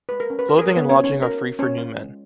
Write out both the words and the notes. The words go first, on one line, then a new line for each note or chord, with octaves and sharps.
Clothing and lodging are free for new men.
G#3 B4
A#4
C#4
B4
F#4 A#4
G#4
A#4
G#3 C#5
B3 B4
C#4 F#4 C#5
C#4 D#4 C#5
F#4 A#4
F#4
C#4 F4 C#5
F4
G#3